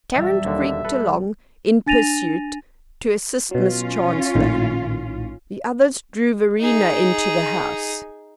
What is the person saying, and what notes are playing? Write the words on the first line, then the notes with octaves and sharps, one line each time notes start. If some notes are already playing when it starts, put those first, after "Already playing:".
Tarrant creaked along, in pursuit, to assist Miss Chancellor; the others drew Verena into the house.
E1 G3 E5
D#2 D3
A4 B4
D4 G#5 A6 A#6 D#7 F7
B2 F#3 C#4 F4
A#1 A2 D#3
D#4 G#4